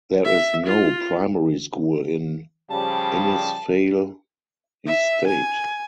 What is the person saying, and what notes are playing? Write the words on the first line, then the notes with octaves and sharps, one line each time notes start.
There is no primary school in Innisfail Estate.
E5
F4
C#3 F3 G3 A5
E5
G#5